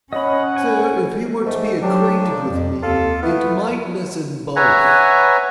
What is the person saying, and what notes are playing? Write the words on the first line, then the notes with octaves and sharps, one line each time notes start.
'Sir, if he were to be acquainted with me, it might lessen both.'
C#4 C#5 D#5 F#5 B5
C5 G#5
G#2 A3
F#3 D4 G4
F3
F2
D#2 F4 A4
A3 B3 E4
B4 C#5 E5 F#5 G#5 A#5